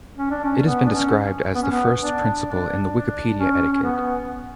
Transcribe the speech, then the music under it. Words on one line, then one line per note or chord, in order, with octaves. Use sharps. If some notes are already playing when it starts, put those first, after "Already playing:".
It has been described as "the first principle in the Wikipedia etiquette".
C#4
D4
C#4
B3
D4
C#4
B3
C#4
B3
D4
D4
D4
C#4
C#4
B3